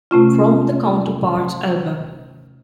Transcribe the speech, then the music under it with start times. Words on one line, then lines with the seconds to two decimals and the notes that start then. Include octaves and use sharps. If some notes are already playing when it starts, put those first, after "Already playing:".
From the "Counterparts" album.
0.11 C3 A3 C#4 F4